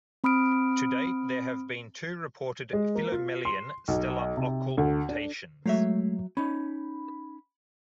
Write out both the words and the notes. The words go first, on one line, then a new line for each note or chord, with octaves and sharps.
To date there have been two reported Philomelian stellar occultations.
C4 B5 D#6 F6 D7
G#3
A#3
F4
C6
B1
C3
D2
D4
F#3 G#3 A3 C#5 E5
C#4 D#4 B5